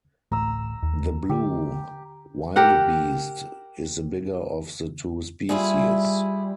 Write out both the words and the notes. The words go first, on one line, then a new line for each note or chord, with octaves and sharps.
The blue wildebeest is the bigger of the two species.
D1 A1 A3 A#5 E6
D#2
D3 G4
G4 A#4 F#5
G3 E4 F4 G#4